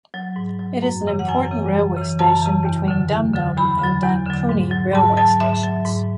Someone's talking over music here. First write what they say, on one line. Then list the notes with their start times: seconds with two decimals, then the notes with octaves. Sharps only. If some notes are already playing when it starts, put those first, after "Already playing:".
It is an important railway station between Dum Dum and Dankuni railway stations.
0.14 F#3
0.36 G#2
0.59 F#3
0.82 F#2
1.05 C#3 E3
1.19 F#5
1.28 F#2 G#5
1.51 C#3 E3
1.74 F#2
1.96 C#3
2.01 E3
2.19 F#2 A5
2.42 C#3 E3
2.65 E2
2.88 D3 F#3
3.11 E2
3.34 D3 F#3
3.57 E2 B5
3.80 D3 F#3
4.03 E2
4.26 D3 F#3
4.49 G#2
4.71 F#3
4.94 G#2 A5
5.17 F#3 A5
5.40 G#2 E5
5.64 F#3
5.85 G#2